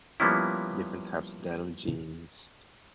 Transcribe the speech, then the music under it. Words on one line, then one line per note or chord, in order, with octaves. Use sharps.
different types of denim jeans.
F3 G3 A#3 B3 C#4 E4